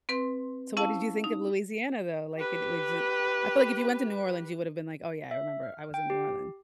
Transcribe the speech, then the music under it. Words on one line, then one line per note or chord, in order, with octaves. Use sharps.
So what did you think of Louisiana though, like it was jus I feel like if you went to New Orleans, you would’ve been like, "Oh yeah, I remember I was in New Orleans."
C4 B4 C6
C#4 E4 F5 A5
D#4
G4 B4
E5
F6
G5
G4